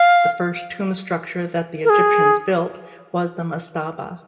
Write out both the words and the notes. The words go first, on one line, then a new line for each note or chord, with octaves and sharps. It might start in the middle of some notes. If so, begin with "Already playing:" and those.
The first tomb structure that the Egyptians built was the mastaba.
Already playing: F5
A#4
G#4